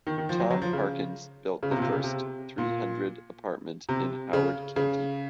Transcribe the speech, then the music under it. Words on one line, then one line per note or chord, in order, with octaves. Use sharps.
Tom Harkins built the first three hundred apartment in Howard County.
D#3
D#3
F3
F#3
F#3
F3
C#3
C#3
C3
A#2
C3
C#3
C3
A#2
C3
C#3
C#3